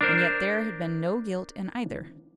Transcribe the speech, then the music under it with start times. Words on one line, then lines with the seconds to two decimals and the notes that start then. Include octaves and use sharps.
And yet there had been no guilt in either.
0.01 D4 A#4 C5